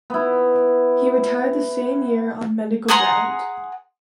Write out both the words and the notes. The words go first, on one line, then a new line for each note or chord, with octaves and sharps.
He retired that same year on medical ground.
B3 E4
G#4 F#5 A#5 C6